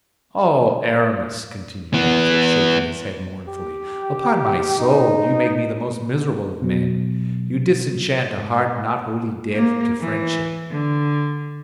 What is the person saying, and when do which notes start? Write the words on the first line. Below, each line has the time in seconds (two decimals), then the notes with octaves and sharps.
Oh, Aramis!" continued Athos, shaking his head mournfully, "upon my soul, you make me the most miserable of men; you disenchant a heart not wholly dead to friendship.
1.94 E3 B3
3.49 G4
4.79 D#4
6.62 B2 F#3
8.38 G#2
9.53 A#3
10.00 E3
10.70 D3